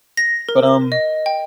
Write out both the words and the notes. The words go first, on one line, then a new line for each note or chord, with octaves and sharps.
But, um,
A#6
A#4
D#5
G5